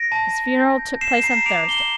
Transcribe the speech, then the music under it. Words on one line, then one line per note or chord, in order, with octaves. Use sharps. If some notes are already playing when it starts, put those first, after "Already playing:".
His funeral took place on Thursday.
Already playing: A#6 D7
A5
A5
A5
G6
G6 C7 E7
A#5 C7 E7
D6 D7 F7
A#5 E7 G7